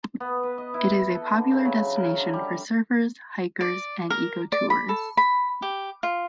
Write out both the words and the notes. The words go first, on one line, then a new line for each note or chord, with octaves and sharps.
It is a popular destination for surfers, hikers and ecotourists.
B3
B4
D#5
E4
A4
D3
C#3
F#3
A#4
D3
G3
D5
A#4
D5
B5
A4
B5
G4
F4